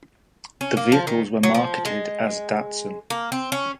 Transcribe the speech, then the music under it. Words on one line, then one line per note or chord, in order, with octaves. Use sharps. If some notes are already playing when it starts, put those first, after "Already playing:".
The vehicles were marketed as Datsun.
C#4
A#3
F3
D#3
F#3
F3
G#3
A#3
C4
C#4